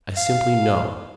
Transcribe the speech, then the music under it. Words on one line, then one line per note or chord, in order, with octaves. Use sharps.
I simply know.
F5